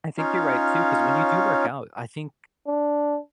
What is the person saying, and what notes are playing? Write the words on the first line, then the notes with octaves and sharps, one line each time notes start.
I think you're right too, cause when you do work out, I think,
C#4 D#4 F4 C#5 F5
D4